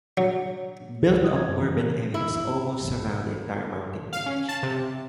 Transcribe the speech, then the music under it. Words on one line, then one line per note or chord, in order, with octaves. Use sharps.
Built up urban areas almost surround the entire mountain range.
F#3
C#2
D#6
G#6
F#2
E3
A#4
E4
F5
C#4
A5
C3